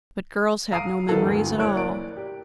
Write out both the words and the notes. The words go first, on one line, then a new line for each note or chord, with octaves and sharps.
But girls have no memories at all!
F5 A#5 D#6 C7 D7 D#7
D#3 F3 B3 F4 A4
D2 G2
F#1 E4 C#5 F#6 D7
A#3 D5 D7
G4